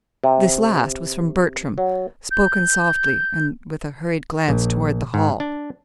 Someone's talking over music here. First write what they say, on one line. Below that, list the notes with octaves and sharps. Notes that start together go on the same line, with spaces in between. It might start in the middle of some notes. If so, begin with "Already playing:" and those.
This last was from Bertram, spoken softly, and with a hurried glance toward the hall.
C3
F#3
G6
A#1
G#2
D4